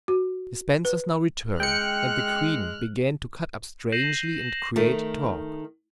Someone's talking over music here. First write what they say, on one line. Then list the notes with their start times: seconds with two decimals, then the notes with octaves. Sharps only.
The Spencers now returned, and the queen began to cut up strangely and create talk.
0.08 F#4
0.85 B4
1.60 G#3 G5 F6 F#6 C#7
3.92 G6 A#6 C7 D#7 E7 F#7
4.76 D#3 A3